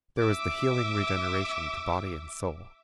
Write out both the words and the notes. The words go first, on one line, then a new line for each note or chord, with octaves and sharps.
There was the healing regeneration to body and soul.
E5 D6